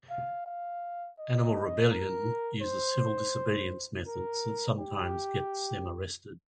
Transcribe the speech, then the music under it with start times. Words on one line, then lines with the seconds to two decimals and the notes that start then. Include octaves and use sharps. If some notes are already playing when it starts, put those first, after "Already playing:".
Animal Rebellion use civil disobedience methods that sometimes get them arrested.
0.10 F5
0.46 F5
1.18 D#5
1.90 A#4
2.62 C5
4.07 A#4
4.78 G4